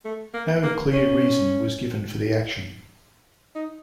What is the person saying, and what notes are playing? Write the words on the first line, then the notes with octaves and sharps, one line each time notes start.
No clear reason was given for the action.
A3
A#3
A#3
C#4
D#4